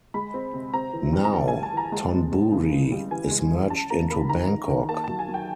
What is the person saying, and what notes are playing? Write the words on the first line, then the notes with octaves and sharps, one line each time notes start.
Now Thonburi is merged into Bangkok.
G#3 B5
C4
C3
C4 A#5
E3
G3
A#5
E3 A5
G#5
A3
A5
E3 A#5
G#3 A5
C3
G#3
C#3
E3
G3
E3 G#5
G#3
E3
C#4 A5
A#3 A#5
A#3 B5
D#3 A#5
D#3
D#3
A#3 A5
A5
F#3
G#5
F#3
G5